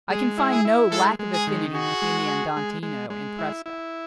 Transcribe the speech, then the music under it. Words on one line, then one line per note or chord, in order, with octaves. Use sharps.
I can find "no lack of affinity" between the andantino and presto.
G#3 G#4
E4
G#4
E4
G#3 A4
G#3
G#4
D#3
F#4 G#4
G#3
G#4
G#3
G#3
G#3
E4
E4